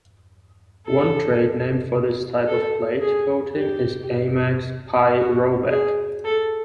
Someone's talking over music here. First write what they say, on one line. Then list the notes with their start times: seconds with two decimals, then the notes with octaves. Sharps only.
One trade name for this type of plate coating is Eimac's "pyrovac".
0.86 A4
2.47 A4
3.01 G#4
3.55 G4
5.17 F#4
5.70 G#4
6.25 A4